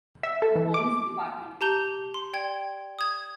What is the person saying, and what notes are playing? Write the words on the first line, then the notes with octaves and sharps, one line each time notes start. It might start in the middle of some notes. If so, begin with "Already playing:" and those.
The police dept.
E5
A4
E3
D6
G4 A5 A#5 G6 G7
C6
D5 G5 G#6
D#6 G#6